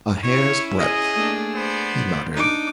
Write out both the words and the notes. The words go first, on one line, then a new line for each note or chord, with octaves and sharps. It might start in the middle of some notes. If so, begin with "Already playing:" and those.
"A hair's-breadth," he muttered.
C#4 E4 C#5
G#4 D#5
A3 A#3 D4
B3 C5 D5
D4 D#4 D6